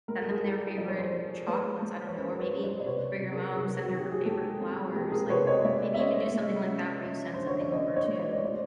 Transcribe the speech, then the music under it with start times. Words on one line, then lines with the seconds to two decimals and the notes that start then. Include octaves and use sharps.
send them their favorite chocolates, I don't know. Or maybe for your mom, send her her favorite flowers, like, maybe you can do something like that where you send something over to
0.08 G#3 A#4
0.20 A4
0.31 G#4
0.42 E4 G4 A4
0.78 F3 D5
0.88 C#5
0.98 C5 D5
1.13 F3
1.47 G#3 B4 C#5
1.82 G#3
2.07 C#5
2.16 C#4 A#4 C5
2.40 B4 C#5
2.52 C#4
2.64 C5 D5
2.80 D5
2.86 C3 B4 C#5
3.21 C3
3.32 G#4 A#4
3.56 C3 G#4 A#4
3.84 F#4
3.90 D#3
3.97 G4
4.11 G#4
4.25 G#3 G4 A4
4.60 C4
4.94 G#3 G4 A4
5.12 G#4 A#4
5.29 C3 B4 C#5
5.47 C#5 D#5
5.64 G#3 D5 E5
5.94 E5
5.99 C#4 C#5 D#5
6.34 G#3
6.69 C#4
7.04 C#4
7.34 D3 C5
7.47 C#5
7.60 D5
7.72 C#4 C#5 D#5
7.95 C#5 D#5
8.07 G#3
8.19 D5
8.33 C#5
8.42 A3 C5 D5